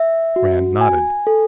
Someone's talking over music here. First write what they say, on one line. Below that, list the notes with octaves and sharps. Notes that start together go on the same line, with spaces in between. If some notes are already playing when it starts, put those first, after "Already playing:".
Rand nodded.
Already playing: E5
F#4
G#5
A4